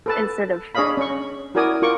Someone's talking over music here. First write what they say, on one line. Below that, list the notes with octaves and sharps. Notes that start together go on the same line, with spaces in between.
instead of
A4 B4 A5
D4 G#4 C#5 D#5 F5 B5
C#4 C#6
E4 F#4 A#4 D5 G#5 D#6
F4 A#4 C#6 D6